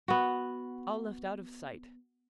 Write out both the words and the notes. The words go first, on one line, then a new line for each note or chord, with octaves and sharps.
All left out of sight!
B3 F#4